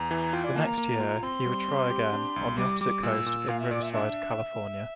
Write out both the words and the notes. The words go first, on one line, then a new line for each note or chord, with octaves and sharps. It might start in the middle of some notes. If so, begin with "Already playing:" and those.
The next year, he would try again, on the opposite coast, in Riverside, California.
Already playing: E2 A#5
E3
F4 G5
D5
A#3 A5
A#5
A#3
F4
C4 C6
G3
C4
G4
D4
C2
G3 D6
G3 D6
A#2 E6
A#2
A#2 F5
E5
A#2 D5
E5
D4 E5